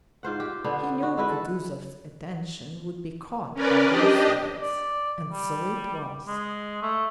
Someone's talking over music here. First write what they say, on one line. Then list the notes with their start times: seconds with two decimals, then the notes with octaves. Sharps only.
He knew Kutuzov's attention would be caught by those words, and so it was.
0.23 G#2 F4 C5 F#5
0.40 G4
0.64 D3 B3 C5
1.03 F#4
1.17 G#3 E4 B4
1.29 A4
3.54 C#4 A#4 B4 D5
3.87 D4 G4 D#5
4.61 D5
5.32 G3
6.28 G#3
6.82 A3